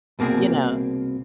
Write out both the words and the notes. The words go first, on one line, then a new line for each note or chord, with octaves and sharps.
you know,
C2 B2 A#3 C4 G#4